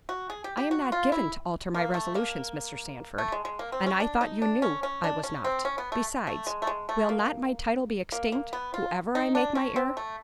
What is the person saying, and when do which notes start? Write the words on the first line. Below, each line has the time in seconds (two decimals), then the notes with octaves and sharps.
I am not given to alter my resolutions, Mr. Sandford; and I thought you knew I was not; besides, will not my title be extinct, whoever I make my heir?
0.09 F#4
0.30 G#4
0.44 G4
0.57 G4
0.71 F#4
0.92 F4
1.12 E4
1.74 A#3
1.94 A3
2.15 A#3
3.18 A3
3.32 G#3
3.45 G#3
3.59 A#3
3.72 C4
3.86 C#4
4.00 D4
4.21 D#4
4.42 D4
4.62 C#4
4.83 C#4
5.04 D4
5.24 C#4
5.44 C4
5.65 C#4
5.78 B3
5.92 A3
6.27 A3
6.47 G#3
6.62 A3
6.67 G#3
6.89 A3
7.09 A#3
8.12 A#3
8.32 A#3
8.53 B3
8.74 F4
9.15 D#4
9.35 D4
9.55 C#4
9.76 C4
9.97 A3